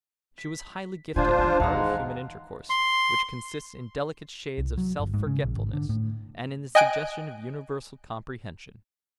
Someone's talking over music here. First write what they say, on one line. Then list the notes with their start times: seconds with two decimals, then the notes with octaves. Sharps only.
She was highly gifted in the art of human intercourse which consists in delicate shades of self-forgetfulness and in the suggestion of universal comprehension.
0.38 B6
1.16 A2 D3 D4 F4 C5 G#5
1.39 D#3 E3 G#5 A5 F6
1.60 D#2 G#2 E3 G#3 F5 F#5 A#5
2.70 C6
4.58 C2
4.78 F#3
5.00 G1
5.14 G#2
5.27 C#3
5.44 A#1
5.57 G#1
5.73 D3
5.89 A2
6.75 D#5 G5 G#5 F#6 D7